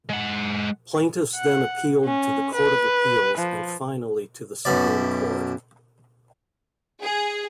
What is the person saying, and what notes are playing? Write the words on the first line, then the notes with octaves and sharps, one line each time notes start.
Plaintiffs then appealed to the Court of Appeals and finally to the Supreme Court.
G#3 F#5
F#5
C#4
B4
F3
B1 F#2 B2 D5
G#4